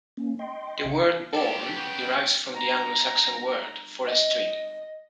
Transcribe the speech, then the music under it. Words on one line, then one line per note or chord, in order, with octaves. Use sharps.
The word bourne derives from the Anglo-Saxon word for a stream.
A#3 C#4
D#5 G5 C6
A#1 C#3 C#7
G4 A4 D5
C#3 B3 G5
A#5
D#5